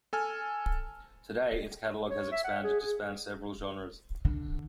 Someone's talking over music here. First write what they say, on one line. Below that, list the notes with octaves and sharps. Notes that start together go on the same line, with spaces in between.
Today, its catalogue has expanded to span several genres.
A4 G#5 F6
C#5
E5
F#5
G#4
G#4
D3